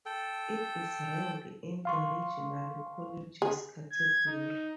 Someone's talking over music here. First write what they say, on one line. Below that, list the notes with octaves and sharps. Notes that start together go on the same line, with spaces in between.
It is ranked in the "Regional Colleges" category.
A4 G5
F5 C6 C#6
G#4
G#6
D#4